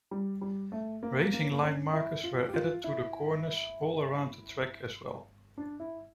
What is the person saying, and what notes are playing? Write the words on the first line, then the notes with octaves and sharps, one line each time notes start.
Racing line markers were added to the corners all around the track as well.
G3
G3
A3
A#3
A#3
C#4
A#3
C#4
E4
F4
G4
F4
E4
D4
E4